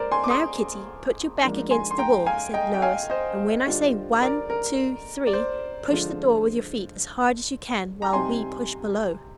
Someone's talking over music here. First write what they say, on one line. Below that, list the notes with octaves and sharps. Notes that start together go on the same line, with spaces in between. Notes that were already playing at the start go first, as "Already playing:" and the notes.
"Now, Kitty, put your back against the wall," said Lois, "and when I say 'One, two, three,' push the door with your feet as hard as you can, while we push below."
Already playing: G#3 A#4 C5 D5
G#5 C6
D6
C6 D#6
G#2 F3 A#3 D4
G#5 C6
C6
G5 A#5
F5 G#5
D#5 G5
G5
F5 G#5
C5 D#5
D3 G3 D4 F4
A#4 D5
A#4
D5
C5
D3 F3 G#3 D4 F4
A#5
C3 G3 C4 D#4 G#5 C6